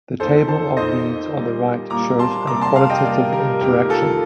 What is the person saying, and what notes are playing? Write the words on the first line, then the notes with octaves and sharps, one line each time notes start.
The table of means on the right shows a qualitative interaction.
F2 D#3 A#3 A4 C5
A4 C5
F2 D#3 A#3 C5 D#5
A#2 G3 A#3
A#2 G3 A#3 A#5 D6
A5 C6
C3 G3 A#3 A#5 D6
A5 C6
F5 A5
D#5 G5
C3 G3 A#3 A#4 D5
G4 A#4
F2 D#3 A3 G4 A#4
F4 A4